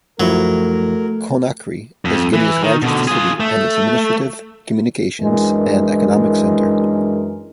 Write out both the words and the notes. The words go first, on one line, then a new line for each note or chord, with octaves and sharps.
Conakry is Guinea's largest city and its administrative, communications, and economic centre.
F#2 F3 F#3 A3 E4 A#4
F2
E3
D#3
B2 D3
F4 G#4
A3
F#2 E3 G#3 D4 E4 A#4